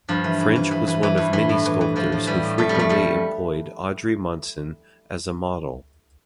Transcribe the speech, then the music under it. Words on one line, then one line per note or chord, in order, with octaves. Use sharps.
French was one of many sculptors who frequently employed Audrey Munson as a model.
G2 F3
E3
E3
E3
E3
E3
E3
G2
E3
A2
E3
E3
E3 F3
A2
E3 G3
A2
F2 A3
G3
F2 A3
F2 G3